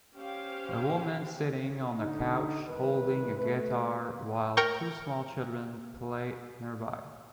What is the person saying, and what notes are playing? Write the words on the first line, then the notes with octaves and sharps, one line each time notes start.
A woman sitting on a couch holding a guitar while two small children play nearby.
C#4 G4 C5 F5 G5
D3 D#4
C2 D#3 B4
A3 B4
A#4 G5 C#6